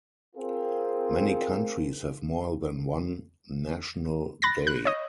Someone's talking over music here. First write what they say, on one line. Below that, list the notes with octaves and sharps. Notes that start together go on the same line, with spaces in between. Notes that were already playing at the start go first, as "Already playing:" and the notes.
Many countries have more than one national day.
C4 F4 G#4 A#4
B5 F#6 A6 A#6
F#6
C#5 D#5